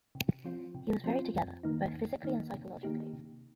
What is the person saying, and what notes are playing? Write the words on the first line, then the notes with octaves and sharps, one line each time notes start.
He was very together both physically and psychologically.
C3
F3 C4 F4
C3
F3 C4 F4
F2
D#3 A#3 D#4
F2
D#3 A#3 D#4
C3
D#3 A#3 D#4 G4
C3